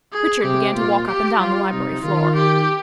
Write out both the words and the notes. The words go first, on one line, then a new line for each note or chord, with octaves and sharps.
Richard began to walk up and down the library floor.
G#4
C3 G4
A#2 F4
G4
G3 F4
C3 D#4
D#3 F4
G4